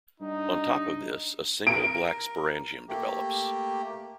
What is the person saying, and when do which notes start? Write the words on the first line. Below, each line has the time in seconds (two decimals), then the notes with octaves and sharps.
On top of this, a single, black sporangium develops.
0.20 G2 D#4
1.67 A#4 D7
2.89 A3 A#3 G4